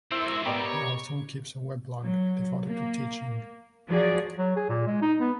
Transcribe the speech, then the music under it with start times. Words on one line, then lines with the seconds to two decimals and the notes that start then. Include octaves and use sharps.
He also keeps a weblog devoted to teaching.
0.12 C4 D4 E4 A4 A#4 C5 E5
0.26 G#2 F#4
0.45 G#2 A3 B3 G4 A#4 D5 D#5
0.66 C#5
2.03 F#3
2.67 A#3
3.88 F3 F#3 F#4 G#4 D5
4.38 F#3
4.57 G#4
4.69 A#2
4.87 G#3
5.02 D#4
5.20 B3